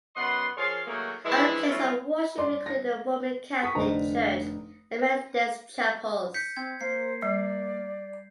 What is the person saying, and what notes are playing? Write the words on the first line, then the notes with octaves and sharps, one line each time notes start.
Other places of worship include a Roman Catholic church and Methodist chapels.
F#2 B3 D#5 F#5 C6
F3 G#4 A#4 C#5 F5 C6
D#3 F#3 A3 A#3 F#4 G#4
E3 F3 G#3 E4
F#3 G3 A3 E4 F4
D5 C6
A#6
C#6 D#6 B6
F1 D3 D4 D#4 C5 A#5
G6 B6 C#7
C4 G#6
A#3 C5 C7
G3 D5